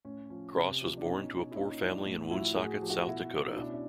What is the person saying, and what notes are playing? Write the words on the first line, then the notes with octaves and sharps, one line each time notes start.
Cross was born to a poor family in Woonsocket, South Dakota.
A2 C#4
F3 C#4
C3
F3
D4
B2 C#4 D#4
E4
A#2 C#4 D#4
F3 D4 E4
A2
F3 E4 F#4
A2 F#4 G#4
F3 G4
F#4
F4
B2 E4 F#4
D#4
B2 D4 E4
C#4
D4